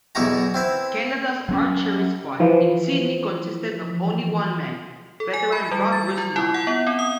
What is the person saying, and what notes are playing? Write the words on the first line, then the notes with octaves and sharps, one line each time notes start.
Canada's archery squad in Sydney consisted of only one man, veteran Rob Rusnov.
B1 E2 D#4 E4 F#4 A#5
C4 E4 B4
F#3 C4 C#4
E3 F3
A4
G#5
B5
G3
A6
F4
E4
F#5
B3
C4
D#6